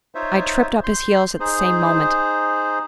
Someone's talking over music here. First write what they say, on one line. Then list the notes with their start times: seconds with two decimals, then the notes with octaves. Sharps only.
I tripped up his heels at the same moment.
0.15 D#4 F4 C5 C#5 E5
0.84 C6 G6
1.40 D#4 G#4 C5